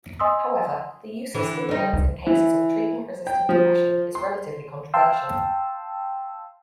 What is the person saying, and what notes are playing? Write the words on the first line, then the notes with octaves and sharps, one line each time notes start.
However, the use of stimulants in cases of treatment-resistant depression is relatively controversial.
D#5 G#5 C6 D#6 E6
D3 E3
G3 D#4
C#2
E3
G5
F3
C6
F5 G5 A5 C6 E6